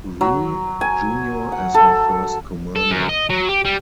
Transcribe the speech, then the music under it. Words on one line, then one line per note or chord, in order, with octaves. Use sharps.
Rule, Junior as her first commander.
F#3
G#5
F#5
A4
A4
F#2
D#5
F#3
G4
G3